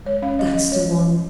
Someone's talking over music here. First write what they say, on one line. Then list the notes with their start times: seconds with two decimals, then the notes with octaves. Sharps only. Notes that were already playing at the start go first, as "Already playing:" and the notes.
That's the one.
0.05 G#3 C#5
0.22 C#4 F5
0.39 F3 D#5
0.56 F3
0.72 G#3 C#5